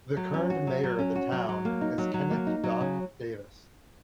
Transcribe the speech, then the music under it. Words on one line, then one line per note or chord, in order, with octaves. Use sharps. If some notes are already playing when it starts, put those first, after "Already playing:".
The current mayor of the town is Kenneth "Doc" Davis.
F#3
C#4
F#4
F#3
F#3
C#4
F#4
F#3
F#3
A#3
D#4
F#3
F#3
A#3
D#4
F#3
C#3